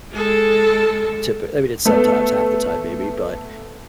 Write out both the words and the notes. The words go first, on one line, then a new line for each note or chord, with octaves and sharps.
typi I mean, it's sometimes, half the time maybe, but,
G#3 A4
A3 B3 A4